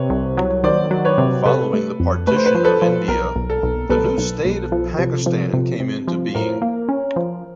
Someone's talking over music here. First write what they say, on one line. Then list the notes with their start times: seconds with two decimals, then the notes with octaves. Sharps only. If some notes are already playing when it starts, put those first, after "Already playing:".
Following the partition of India, the new state of Pakistan came into being.
Already playing: C3 B4 C#5
0.10 C2
0.37 F#3
0.64 D#3 C5 D5
0.91 F#3
1.05 B4 C#5
1.18 C3
1.45 C3 A4 B4
1.73 A3
2.00 F2
2.27 A3 B4
2.36 C5
2.46 B4
2.55 F3 C5
2.64 A4 B4
2.82 F3
3.08 B1 A#4
3.36 B1
3.50 A4
3.63 B1
3.89 B1 A4 B4
4.18 B1
4.45 B1
4.72 F3
4.99 C3
5.26 F3
5.54 C3
5.80 C3
6.08 F3
6.35 A2 A#4
6.62 A#3
6.89 C#4
7.16 F3